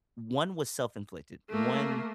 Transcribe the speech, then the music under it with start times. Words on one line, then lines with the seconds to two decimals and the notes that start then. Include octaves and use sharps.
one was self-inflicted. One,
1.50 A3 A#3